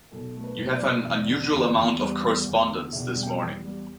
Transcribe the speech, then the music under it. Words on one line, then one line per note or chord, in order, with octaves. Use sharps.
You have an unusual amount of correspondence this morning.
B1 A4
A3
B4
B1
D5
B1
E2
D3
E2
E2
G3
E2
E2
D3
E1 E5
G3
G5
E2
G3